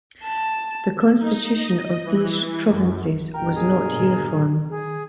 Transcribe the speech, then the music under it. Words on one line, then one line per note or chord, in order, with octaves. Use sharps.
The constitution of these provinces was not uniform.
A5
D#4
D#5
E3
F#2
G2 B2 A#4 G5
G#4
A#2 D3
D#3 G#4